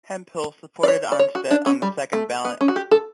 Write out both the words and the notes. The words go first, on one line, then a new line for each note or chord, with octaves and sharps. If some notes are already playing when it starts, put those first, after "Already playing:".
Hemphill supported Anstett on the second ballot.
D5
C#5
D5
C#5
F#4
D4
C#4
G3
A3
B3
C#4
F#4
G4
A4